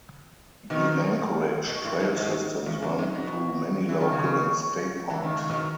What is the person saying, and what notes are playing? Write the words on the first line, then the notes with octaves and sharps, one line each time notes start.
The Anchorage Trail Systems run through many local and state parks.
B2 D#3
B2
A2
G#2
G#2
E2
F#2
G#2
B2
E3
D#3
C#3
E3
D#3
C#3
B2 D#3